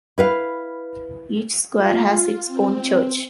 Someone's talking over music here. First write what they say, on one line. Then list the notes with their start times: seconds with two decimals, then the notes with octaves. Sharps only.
Each square has its own church.
0.18 E4 B4 F5
1.75 F4
2.47 C4